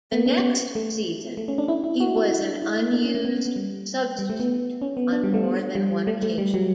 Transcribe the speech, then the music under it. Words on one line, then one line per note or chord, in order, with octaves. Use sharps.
The next season, he was an unused substitute on more than one occasion.
B3
C#4
B3
A3
A3
C#4
D4
E4
E4
F#4
E4
E4
D4
E4
E4
D4
C#4
A3
B3
B3
G3
G3
A3
B3
C#4
B3
D4
G3
A3
B3
G3
A3
A3
G3
F#3